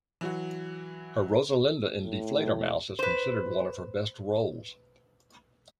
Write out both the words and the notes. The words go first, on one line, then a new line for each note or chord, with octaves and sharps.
Her Rosalinde in "Die Fledermaus" is considered one of her best roles.
E3 F#3 F#4
A2
B4 C5